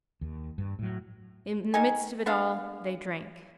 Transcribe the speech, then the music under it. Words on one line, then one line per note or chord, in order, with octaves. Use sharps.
In the midst of it all, they drank.
D#2
G2
A2 F#3
D#3 D#4 G#5
B3 D4 F5